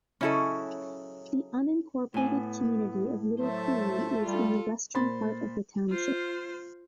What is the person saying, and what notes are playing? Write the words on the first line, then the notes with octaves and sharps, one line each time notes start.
The unincorporated community of Little Cooley is in the western part of the township.
C#3 F#3 C#4 E4 A4 D#5
A2 B3 G#5
F#3 A3 C5 E5 A5
G3 F4 A4
A#2 C5 B5 C6 A6
F4 C5